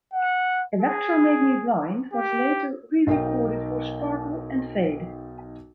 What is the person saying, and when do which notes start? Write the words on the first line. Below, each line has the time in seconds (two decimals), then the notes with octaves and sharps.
"Electra Made Me Blind" was later re-recorded for "Sparkle and Fade".
0.12 F#5
0.80 G#4
2.12 G4
3.07 B1 D#4 A#4 D#5 G5